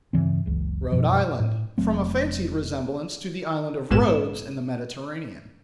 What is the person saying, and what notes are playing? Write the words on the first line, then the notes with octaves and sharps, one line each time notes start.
Rhode Island--From a fancied resemblance to the island of Rhodes in the Mediterranean.
G2 C#3 E3 C4
F#1 C#2 E3
F#2 B2 F3
A2
F1 F#3 A3 C4
A#1 G#2 G#3 B3 E7